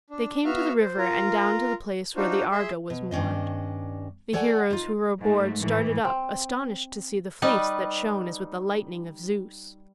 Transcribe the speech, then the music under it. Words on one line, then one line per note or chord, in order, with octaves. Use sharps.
They came to the river and down to the place where the Argo was moored. The heroes who were aboard started up, astonished to see the Fleece that shone as with the lightning of Zeus.
D4
B3 F#4 E5 F5 F6
C5
F4 A#4
D4 D#4 F4 F#4 C5
G#4 E5 C6
B2
G2 D#3 C#4 D4 D#5
A4 C#5 D5 F#5 G#5
D#4 F4
G#2 A3
A2 E3
C4
G3 D#4 B4